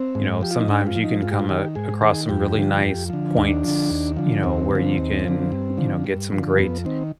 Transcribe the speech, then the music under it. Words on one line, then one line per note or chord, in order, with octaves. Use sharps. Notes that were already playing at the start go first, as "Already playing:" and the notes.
you know, sometimes you can come a across some really nice points, you know, where you can, you know, get some great
Already playing: C4
G#2
F3 G4
F4
D#4
G#2 D4
G4
F4
F3
D#4
G#2 F4
G4
F4
D#3 G4
G#2 G#4
D#3 G#4
F2 G4
D3 F3
F2
D3 F3
D#2 D4
D3 F3
D#2
D3 F3
D#2 C4
D3 F3
D#2
D3 F3
G2
D3 F3
G2
D3 F3
F2 B3
D#3 C4